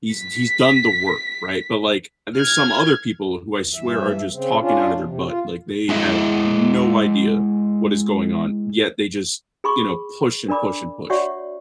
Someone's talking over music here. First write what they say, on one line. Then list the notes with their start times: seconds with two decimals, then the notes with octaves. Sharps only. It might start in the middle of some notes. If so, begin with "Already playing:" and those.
he's he's done the work, right? But, like, eh, there's some other people who I swear are just talking out of their butt, like, they have no idea what is going on, yet they just, you know, push and push and push.
0.15 B6
2.36 F6 G#6
3.59 D2
3.74 G2 E3 E5
4.33 C#3 C4
4.60 C#4 D4 F4
5.03 C3
5.26 F4
5.89 G#3 E4 D#5 E5
9.64 G#4 B5 C#6 D6
10.48 D4 A#4 D5 B5 D6
11.10 F#4 C#5 D5 E5 F#5 C#6